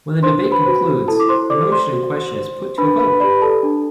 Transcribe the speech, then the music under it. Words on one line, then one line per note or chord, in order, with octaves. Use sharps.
When the debate concludes, the motion in question is put to a vote.
D4 C5 C6
B4 B5
F#4 C5
E4 A4 A5
D6
C5 C6
A4 C5 D5 D6
C5 C6
F#4
C5
D4 B4 B5
B4 B5
G4 B4 D5 B5
A4 A5
D4